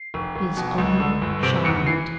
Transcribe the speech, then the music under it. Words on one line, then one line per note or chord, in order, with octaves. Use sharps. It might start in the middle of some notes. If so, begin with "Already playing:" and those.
His own child!
Already playing: C7
F1
F1
B2
C#2
D3
G1
C3 D7
E2 C#7
E3 C7